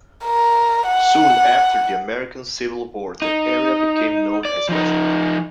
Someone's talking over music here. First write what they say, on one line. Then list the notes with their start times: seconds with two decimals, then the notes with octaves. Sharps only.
Soon after the American Civil War, the area became known as Westville.
0.25 A#4
0.87 F#5
3.22 D#4
4.45 D5
4.69 F3 D#4